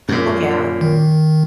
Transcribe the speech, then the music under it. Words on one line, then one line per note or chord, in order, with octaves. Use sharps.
Oh, yeah.
F#2 A#2
D#3